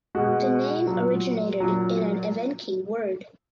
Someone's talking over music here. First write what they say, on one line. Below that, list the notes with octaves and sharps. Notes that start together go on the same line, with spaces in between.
The name originated in an Evenki word.
B2 G#3 F#4
A#2 F#3
A#2 F#3